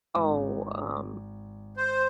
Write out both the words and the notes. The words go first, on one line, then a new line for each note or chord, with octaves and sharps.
"Oh, um,
G#1
C5